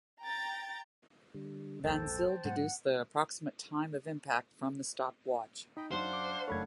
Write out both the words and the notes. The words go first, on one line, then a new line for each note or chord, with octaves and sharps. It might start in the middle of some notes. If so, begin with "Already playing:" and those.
Van Zyl deduced the approximate time of impact from the stopped watch.
G5 A#5 A6
D3 G3
A#1 E2 G#2 A4 C5 G5 A5
G#2 F#3 F#5
D#4 D#5 G5 B5
F#2 D4 C5 F5 F#5
D6
F#1 A3 A4 C#5 B5 G#6